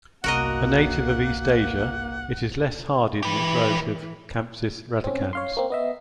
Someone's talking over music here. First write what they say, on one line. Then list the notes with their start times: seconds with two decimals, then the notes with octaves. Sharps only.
A native of East Asia, it is less hardy than its relative "Campsis radicans".
0.24 G1 C2 A#3 F#4 A#4 D#5 F#5
3.23 E3 G4 B4
5.04 C4 C#4
5.33 C#5 F5 C6
5.57 A#3 C4
5.70 B3 D#5 E5